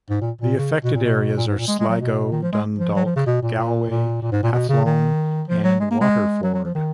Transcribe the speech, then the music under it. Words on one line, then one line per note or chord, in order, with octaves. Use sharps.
The affected areas are Sligo, Dundalk, Galway, Athlone and Waterford.
G#2
A#2
A#2
C#3
B2
A#2
B2
A#2
G#2
A#2
G#3
G#3
F#3
B2
D#3
F3
G#3
F3
F#3
F3
C#3
B2
A#2
A#2
A#2
A#2
G#2
A#2
B2
C#3
D#3
F3
F#3
G#3
A#3
G#3
F#3
F#3
F3
D#3